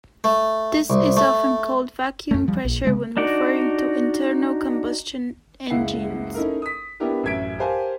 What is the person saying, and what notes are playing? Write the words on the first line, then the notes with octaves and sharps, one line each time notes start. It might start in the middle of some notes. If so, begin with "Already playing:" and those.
This is often called vacuum pressure when referring to internal combustion engines.
A3
C2
A3
F2 A3
F3 G3
A#1
C#3 G#3 C4
D4 D#4 F#4 D5
F#1 C#2 E4 F#5 C7
C#4 D#4 E4 A4 A#4
D#6 B6
B3 D4 E4 G4 A#4 B4
A1 F#2 E5 G#6 B6 D7
G4 A#4 C5 F5 G#5 A5